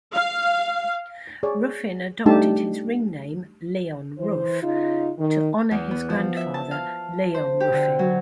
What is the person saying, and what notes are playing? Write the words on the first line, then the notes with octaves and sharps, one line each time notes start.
Ruffin adopted his ring name "Leon Ruff" to honor his grandfather Leon Ruffin.
F5
G#4 C#5 D5
G3 A3 D4 D#4 G4 A5
E3 C5
C#3 D#4 F4
D#3
E2
B3
F3
E5
A5
F5
C5
G4
D3
F#3